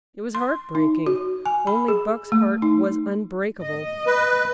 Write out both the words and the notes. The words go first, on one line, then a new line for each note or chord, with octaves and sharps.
It was heartbreaking, only Buck's heart was unbreakable.
C6
D#4
F#4
G#5
B5
G#4
A3
D#4
D#5
B4